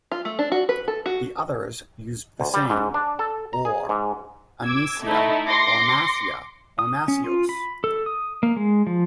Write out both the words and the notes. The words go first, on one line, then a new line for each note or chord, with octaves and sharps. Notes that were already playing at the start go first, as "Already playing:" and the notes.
The others used the same, or Amisia, or Amasia or Amasios.
F4
A3
D4
F#4
B4
A4
F#4
D2
G3
G#2
D4
A4
A#5
G#4
G#2
D6 E6 G#6
A3 D#4 E4
C6 D6 A#6 C7 C#7
D#6
C#4
F4
B5
A4
D#6
A#3
G#3
F3